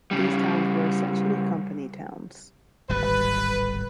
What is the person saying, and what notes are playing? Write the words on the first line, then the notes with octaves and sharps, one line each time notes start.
These towns were essentially company towns.
C#3 G3
D1 G#1 G3 B4